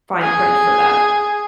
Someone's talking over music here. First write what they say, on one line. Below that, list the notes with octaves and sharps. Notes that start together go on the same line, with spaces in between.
fine print for that.
G#4